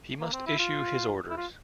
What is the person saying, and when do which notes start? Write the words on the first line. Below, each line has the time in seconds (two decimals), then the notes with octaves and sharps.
He must issue his orders.
0.20 A#3
0.33 C4
0.46 E4
0.59 F4
1.30 E4
1.37 F4